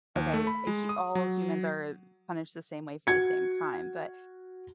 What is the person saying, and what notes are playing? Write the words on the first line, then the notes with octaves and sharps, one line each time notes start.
"Okay, eh, h all humans are punished the same way for the same crime," but,
D#2
A3
B5
G#3
D#6
F#3
F#4 G#6 C#7